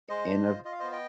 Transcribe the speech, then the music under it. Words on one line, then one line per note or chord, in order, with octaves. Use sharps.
in a
G#3 C5 D#5
D4
F4
F4 D#5
F5
B3 C5 D#5
D#5 G5